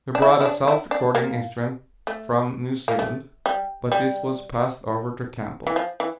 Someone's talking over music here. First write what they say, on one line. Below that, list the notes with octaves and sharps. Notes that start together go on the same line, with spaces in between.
We brought a self-recording instrument from New Zealand, but this was passed over to Campbell.
D4
E4
E4
D4
E4
D4
A#3
A3
A#3
A3
G3
G3
E3
F3
E3